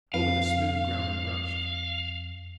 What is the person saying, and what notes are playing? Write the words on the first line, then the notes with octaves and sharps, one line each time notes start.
Over the smooth ground it rushed.
F2 F5